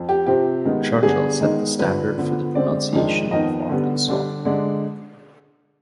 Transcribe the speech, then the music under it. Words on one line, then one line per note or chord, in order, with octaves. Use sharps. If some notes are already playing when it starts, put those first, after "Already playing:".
Churchill set the standard for the pronunciation of Arkansas.
Already playing: F2
G4
C3 F3 C4 G4
D#3 G#3 B3
G2 D3 G3 B3 D4 G#4
D#3 G#3 B3 D#4
G2 D3 F3 B4
D3 F3 B3
D3 G#3 C4 D5
F2 D#3 G#3 D4
F2 D#3 B3 D#4 D#5
D3 G3 B3
D3 G3 D4
D3 G#3 D4